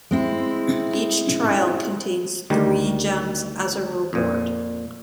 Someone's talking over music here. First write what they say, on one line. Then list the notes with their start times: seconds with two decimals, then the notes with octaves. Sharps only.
Each trial contains three gems as a reward.
0.11 G#3 C4 E4
2.50 D2 D#3 G3
4.13 F2 A#2